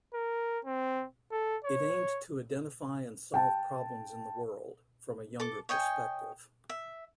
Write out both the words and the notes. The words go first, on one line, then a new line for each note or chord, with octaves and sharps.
It aimed to identify and solve problems in the world, from a younger perspective.
A#4
C4
A4
C#5
G5 A5
A4 D6
C#5 D#5 G5 G#5
E5